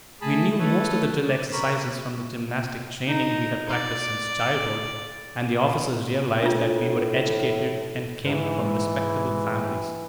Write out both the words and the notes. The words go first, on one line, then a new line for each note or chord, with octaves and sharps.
We knew most of the drill-exercises from the gymnastic training we had practiced since childhood, and the officers realized that we were educated and came from respectable families.
A3 G#4 A5 B5
A4 B4 C#5
D5
A#4 B5 C#6
D#4
D5
A2 D4 F4
G#2 E3